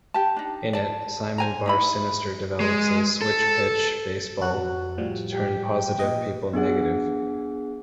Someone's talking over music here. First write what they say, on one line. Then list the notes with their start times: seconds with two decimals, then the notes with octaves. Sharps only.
In it, Simon Bar Sinister develops a Switchpitch baseball to turn positive people negative.
0.14 G4 A5
0.37 D4 D#4
0.73 D5 A5
1.38 C5 G#5 A#5
1.66 D#4 E4 B5
2.60 G#3
3.22 A4
4.41 F2 F#4 F#6
4.98 A2 F3 G3
5.33 G4
5.65 G5
5.99 A#2 D#5
6.53 B3 D4 G#4 F#5